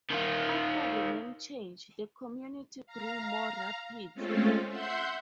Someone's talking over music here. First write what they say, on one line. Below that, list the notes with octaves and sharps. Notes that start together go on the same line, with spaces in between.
After the name change, the community grew more rapidly.
D#3 F4
F5 A#5
G#3 A3 C4 C#4 F4 A4
E5 F#5 C6 G6